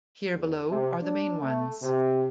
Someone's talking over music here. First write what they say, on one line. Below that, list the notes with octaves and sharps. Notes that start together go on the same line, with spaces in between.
Here below are the main ones.
E2
C3
D4
A3
C3